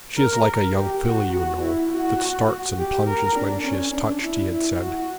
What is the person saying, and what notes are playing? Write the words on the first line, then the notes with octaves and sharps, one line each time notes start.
'She is like a young filly, you know, that starts and plunges when she is touched,' he had said.
A#4
A#4
G4
F#4
F#4
E4
F#4
G4
A#4
D4
C#4
D4
E4
E4
F#4